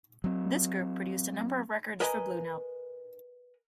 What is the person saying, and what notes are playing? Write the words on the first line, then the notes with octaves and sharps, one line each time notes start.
This group produced a number of records for Blue Note.
F#3 C4
A#4 B4 D#5 G#5 A#5